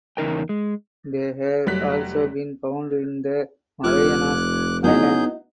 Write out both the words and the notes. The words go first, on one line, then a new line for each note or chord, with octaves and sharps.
They have also been found in the Marianas Islands.
E2 C#3 D#4 A#4 G5
G#3
F1 F#3 G3 F#6 B6
F1 F4 D6 F6 F#6 G#6
F#3 B3 D#4 E4 F#4 G#4 D#5 G6